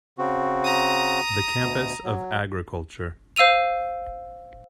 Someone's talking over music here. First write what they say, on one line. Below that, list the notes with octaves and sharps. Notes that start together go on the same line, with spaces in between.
The campus of agriculture.
C#3 C4 F#4
A#5 D#6
D2 B2
F#3
C5 F5 E6 D#7 F7